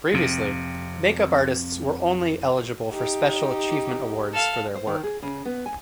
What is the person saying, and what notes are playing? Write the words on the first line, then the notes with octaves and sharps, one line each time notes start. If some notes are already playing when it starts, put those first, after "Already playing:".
Previously, make-up artists were only eligible for special achievement awards for their work.
F2 C3
D#4 G4
A4 F5
C5
D#3
G#4
C#3
B3
G#5